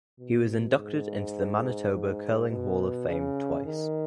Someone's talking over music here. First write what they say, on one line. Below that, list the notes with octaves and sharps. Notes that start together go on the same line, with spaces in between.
He was inducted into the Manitoba Curling Hall of Fame twice.
B2
G#2
G#2
B2
C#3
D#3